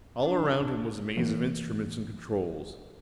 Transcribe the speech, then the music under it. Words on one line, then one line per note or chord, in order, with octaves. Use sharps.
All around him was a maze of instruments and controls.
D4
E3 A#3